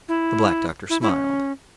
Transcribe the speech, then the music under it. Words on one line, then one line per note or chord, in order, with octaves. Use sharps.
The Black Doctor smiled.
E4
E4
E4
C#4